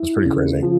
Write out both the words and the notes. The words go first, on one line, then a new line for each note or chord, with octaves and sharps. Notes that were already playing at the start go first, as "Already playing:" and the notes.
It's pretty crazy.
Already playing: E4
C#3
F3